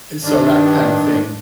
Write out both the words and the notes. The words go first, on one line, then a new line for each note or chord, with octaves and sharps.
uh, so, that kind of thing,
G2 D#3 D4